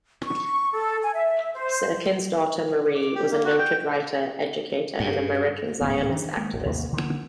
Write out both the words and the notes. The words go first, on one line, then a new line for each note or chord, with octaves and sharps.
Syrkin's daughter Marie was a noted writer, educator and American Zionist activist.
C#6
A4
G#5
E5
C5
D6
G4
A#3
F#4
G5
G2
D1 G#2 D#3 B3
D#3 E3 C#4 D4
G#3 A#3
G#1 D2
A1 D#2 C3 A#3
D3 E3 G3 A#3